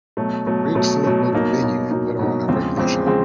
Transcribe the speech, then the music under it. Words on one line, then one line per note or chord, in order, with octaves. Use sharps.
Riggs soon booked a venue and put on a regular show.
B2 F#3 A3
B2 F#3 A3
B2 F#3 A3
B2 F#3 A3
B2 F#3 A#3 D#4
B2 F#3 A#3 D#4
B2 F#3 A#3 D#4
B2 F#3 A#3 D#4
E2 C#3 F3 G#3 C4
E2 C#3 F3 G#3 C4
C#3 F3 G#3 C4